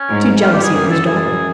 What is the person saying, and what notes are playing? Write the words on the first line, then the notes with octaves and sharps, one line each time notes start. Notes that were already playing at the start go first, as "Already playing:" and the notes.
"To jealousy of his daughter."
Already playing: C#4
G#2
G2 F4
G4
G#4
F#2 G#4
A4
F#2 G#4